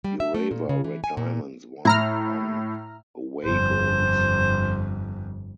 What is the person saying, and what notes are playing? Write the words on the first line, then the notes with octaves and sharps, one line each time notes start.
Urawa Red Diamonds won on away goals.
G3
E5
A3
A#2
C#3
E3
G#5
A#2
A2 E4 A#5 F6
G1 F2 C5